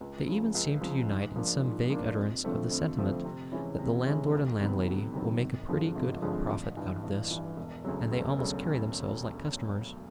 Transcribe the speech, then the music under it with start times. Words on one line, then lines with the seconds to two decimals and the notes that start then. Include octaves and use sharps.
They even seem to unite in some vague utterance of the sentiment that the landlord and landlady will make a pretty good profit out of this, and they almost carry themselves like customers.
0.01 C#2
0.27 C#3 F3
0.55 C#2
0.81 C#3 F3
1.08 G#2
1.36 F3 A#3 D4
1.63 G#2
1.90 F3 A#3 D4
2.17 F2
2.44 D3 F3 A3 C4
2.71 F2
2.97 D3 F3 A3 C4
3.25 C3
3.52 E3 G#3 C#4 E4
3.79 C3
4.06 E3 G#3 C#4 E4
4.33 D2
4.60 C3 D#3 F#3 B3
4.87 D2
5.14 C3 D#3 F#3 B3
5.41 G#1
5.68 G2 D3 F3 G#3
5.95 G#1
6.22 G2 D3 F3 G#3
6.50 A1
6.77 G2 E3
7.03 A1
7.31 G2 E3
7.57 E1
7.85 D2 C#3 F#3
8.12 E1
8.39 D2 C#3 F#3